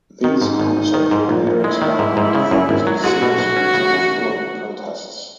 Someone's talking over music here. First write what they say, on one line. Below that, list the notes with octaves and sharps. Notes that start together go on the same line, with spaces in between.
These concerts were later expanded to focus on cities with George Floyd protests.
D#3 D#4
G#2
G#1
G#1
D#3
G#2
A#1
A#1
G#3 E4
D#3
G#2
G#2
C#3
F#2
G#1
F#3
G#3 F#4
B2
B1
C#4
C#3
F#2